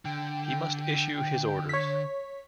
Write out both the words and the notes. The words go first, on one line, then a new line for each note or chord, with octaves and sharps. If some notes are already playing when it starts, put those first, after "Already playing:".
He must issue his orders.
D3 G5
C#5 B6